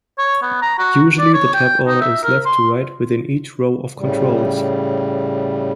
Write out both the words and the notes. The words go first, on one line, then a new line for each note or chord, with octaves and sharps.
Usually the tab order is left to right within each row of controls.
C#5
B3
A#5
F#4
D5
C#5
G5
D#4
E5
A#4
C6
A2 C#3 G3